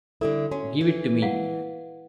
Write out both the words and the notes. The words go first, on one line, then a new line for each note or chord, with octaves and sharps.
Give it to me!
D3 G3 E4 A4
C#4 F#4
E3
F5 F#5